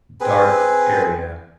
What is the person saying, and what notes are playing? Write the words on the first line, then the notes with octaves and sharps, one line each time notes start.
dark area.
C4 G#4 B4